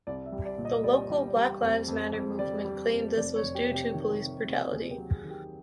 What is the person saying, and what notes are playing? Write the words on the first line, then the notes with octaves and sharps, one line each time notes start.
The local Black Lives Matter movement claimed this was due to police brutality.
C2 D5
E5
G3
D5
A#2
D#5
G3 D5
G3
G3
F2
F2
F2
G3 D5
G3
F2
F1 D5
C#5
F1
G4
C3
G4
D#3
C3
C3
D#2 G#4
G4
F#3
G#4
D#3
G4